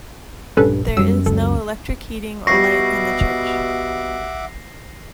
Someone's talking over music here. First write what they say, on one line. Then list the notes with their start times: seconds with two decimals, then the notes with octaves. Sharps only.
There is no electric heating or light in the church.
0.57 A#1 G2 C#4 A4 B4
0.97 F#2 G3 E6
1.26 C#2 A4
2.47 B2 G3 E5 F#5 C#6 D6 A#6 C7